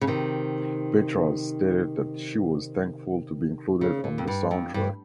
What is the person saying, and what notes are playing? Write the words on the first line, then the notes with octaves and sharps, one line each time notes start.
Petras stated that she was thankful to be included on the soundtrack.
C#3
C3 D#3
C#3
A#2
F2
G2
F2
G2